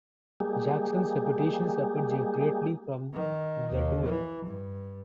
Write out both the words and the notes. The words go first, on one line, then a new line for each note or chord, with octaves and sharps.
Jackson's reputation suffered greatly from the duel.
G3 G#3 A#3 G4 G#4
D#3
D#2
E3
G2